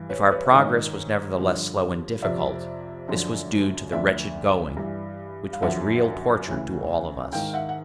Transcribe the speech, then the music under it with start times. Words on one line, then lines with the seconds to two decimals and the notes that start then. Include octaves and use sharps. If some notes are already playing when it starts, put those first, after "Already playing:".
If our progress was nevertheless slow and difficult, this was due to the wretched going, which was real torture to all of us.
Already playing: G2 E3
0.09 B4 C#5
0.31 B4 C#5
0.45 E5
0.52 G#2 D#3 C#5 D#5
1.37 G2 D3 F3
2.22 F2 C3 F3 D5 E5
3.08 F#2 D3 F3
3.92 D2 D3 F3 D5 E5
4.77 G2 E3
5.53 F5
5.62 F#2 D3 F3 E5 F#5
6.47 D2 C#3 E3
7.32 G#2 D#3 F5 G5
7.54 E5 F#5
7.69 F#5